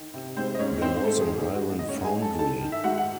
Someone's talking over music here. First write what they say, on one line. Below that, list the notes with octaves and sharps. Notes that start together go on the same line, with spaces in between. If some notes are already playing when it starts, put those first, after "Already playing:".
There was an iron foundry.
Already playing: D#3
C3
G#2 C4 C5
D#5
G#2 C#4 C#5
D#3 C4 C5
C5
G#2 A3 A4
G#4
D#3
G#4
G#2
F#4
G#2
D#5
C#4 C#5
G#2
F#5
G#4 G#5
G#2
A4 A5
D#3 A4 A5
D#3
E5
G#2 F#4 F#5
F#5